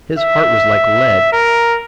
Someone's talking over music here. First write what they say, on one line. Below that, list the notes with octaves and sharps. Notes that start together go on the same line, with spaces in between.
His heart was like lead.
E5
A#4